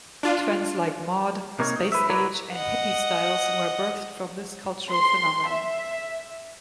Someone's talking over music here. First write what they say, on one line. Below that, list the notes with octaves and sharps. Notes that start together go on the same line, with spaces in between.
Trends like mod, Space Age, and hippie styles were birthed from this cultural phenomenon.
D4 F4
C3 A#3 D#4 A#4 C#5
D#4
B4 E5
E4 F#4 A#4 B4 C#5 D5
D#5 F#5
C6
E5